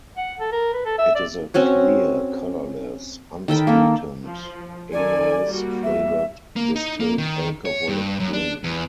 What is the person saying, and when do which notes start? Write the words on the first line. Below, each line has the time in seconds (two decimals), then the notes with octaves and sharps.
It is a clear, colorless, unsweetened anise-flavored distilled alcoholic drink.
0.17 F#5
0.40 A4
0.52 A#4
0.73 B4
0.85 A4
0.98 E5
1.15 D5
1.54 C4 C#4 F#4 C#5
3.48 D#3 A4 G5 B5
3.67 A#3 A4
4.24 F3
4.93 D#3 A4 D5 G#5
5.45 G3 A#3 F#4
5.83 E5
6.56 A#3
6.76 D#4
7.00 A#3
7.18 D#3
7.65 C#5
7.88 G2
8.20 F#2
8.33 D4
8.64 E2